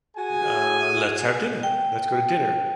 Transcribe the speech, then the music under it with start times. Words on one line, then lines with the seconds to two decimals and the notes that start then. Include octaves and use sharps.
"uh, let's have dinner. Let's go to dinner."
0.17 F#4 G#4 G#5
1.63 G5